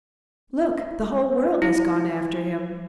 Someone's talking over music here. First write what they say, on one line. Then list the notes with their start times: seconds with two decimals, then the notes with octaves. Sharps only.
"Look, the whole world has gone after him!"
1.62 E4